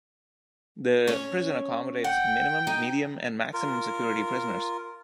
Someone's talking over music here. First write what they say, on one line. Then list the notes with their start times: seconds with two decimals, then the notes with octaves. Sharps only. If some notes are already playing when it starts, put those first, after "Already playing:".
The prison accommodates minimum-, medium- and maximum-security prisoners.
1.07 C#4 C#5
2.04 F#5 G5
2.67 D#4
3.53 F4 A#4